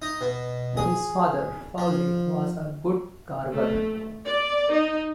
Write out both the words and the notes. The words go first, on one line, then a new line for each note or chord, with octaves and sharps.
His father, Faulle, was a wood carver.
D#4
B2
G#4
F3
A3
D5
D#4